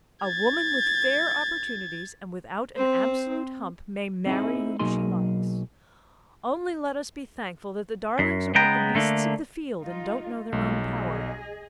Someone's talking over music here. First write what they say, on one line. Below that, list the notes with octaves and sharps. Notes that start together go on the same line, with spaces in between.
A woman with fair opportunities, and without an absolute hump, may marry WHOM SHE LIKES. Only let us be thankful that the darlings are like the beasts of the field, and don't know their own power.
G#6 A6
C4 C5
C4 D#4 E4 G#4
B1 F#3 A#3 D#4 G#4 C6
F#2
C#3 G#3 B3 G5 A#5
D3 A3 A#3 D4
G3 D#4 F4
B1 G3 G#3 F4
G#4 D#5